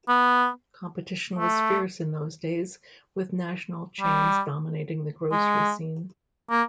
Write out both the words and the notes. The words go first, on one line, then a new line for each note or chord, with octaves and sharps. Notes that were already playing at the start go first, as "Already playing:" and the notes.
Competition was fierce in those days with national chains dominating the grocery scene.
B3
A3
G3
G#3
A#3